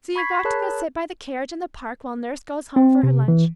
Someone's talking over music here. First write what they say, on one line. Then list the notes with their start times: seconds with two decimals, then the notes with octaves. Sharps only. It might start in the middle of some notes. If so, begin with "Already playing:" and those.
So you've got to go sit by the carriage in the park while nurse goes home for her lunch.
0.16 B5 C#6 G#6 B6 C7
0.45 G#4 A#4 C#5 A5 B5 F#6
2.76 C4
3.03 C3
3.28 E3